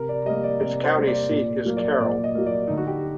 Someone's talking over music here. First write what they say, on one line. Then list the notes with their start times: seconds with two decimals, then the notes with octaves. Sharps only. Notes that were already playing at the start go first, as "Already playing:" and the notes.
Its county seat is Carroll.
Already playing: C3 A#4
0.09 D5
0.26 G3 A#3 D#5
0.43 D5
0.61 C3 D5
0.84 C5
0.96 G3 A#3
1.07 D5
1.30 A#2 D5
1.65 F#3 A#3
1.77 D5
2.00 A#2 D5
2.24 D#5
2.35 F#3 A#3
2.46 D5
2.68 D3 D#4
2.78 F#4
2.87 G4